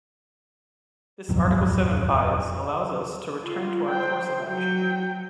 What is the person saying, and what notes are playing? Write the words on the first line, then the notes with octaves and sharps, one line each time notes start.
This Article seven bis allows us to return to our course of action.
D#1 G#1 F2 F#3
F4
C5 G5
F#3 G5